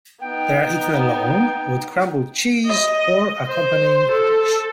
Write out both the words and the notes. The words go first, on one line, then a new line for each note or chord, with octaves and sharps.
They are eaten alone, with crumbled cheese, or accompanying a dish.
B3 D#4 G5
D#5
C5
A4